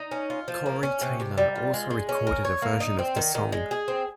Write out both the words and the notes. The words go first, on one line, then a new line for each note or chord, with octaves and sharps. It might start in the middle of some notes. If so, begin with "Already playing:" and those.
Corey Taylor also recorded a version of the song.
Already playing: D#4
C#4
F4
F3
A#3
C#4
C3
C3
G3
F4
G#3
G#3
C#4
A#4
C#5
A#3
D#4
C4
D#3
D#3
G#3
G#4
C4